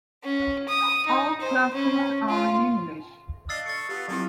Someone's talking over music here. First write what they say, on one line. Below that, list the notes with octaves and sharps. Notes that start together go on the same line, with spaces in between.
All classes are in English.
C#4
D#6
D#4
C5
C#4
F4
D4 D#5 F5 E6 A6 C7
A4 C#6 A6 C#7
B3 F4 G4
F#3 A#3 C4 E4 F4